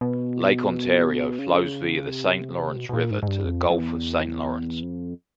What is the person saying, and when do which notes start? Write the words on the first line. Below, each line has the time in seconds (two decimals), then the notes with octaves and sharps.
Lake Ontario flows via the Saint Lawrence River to the Gulf of Saint Lawrence.
0.01 B2
1.39 C#3
2.07 C3
2.76 B2
2.89 B2
2.93 A#2
3.11 G#2
3.23 G#2
3.28 G2
3.45 F2
3.70 F2
3.79 E2
4.83 F2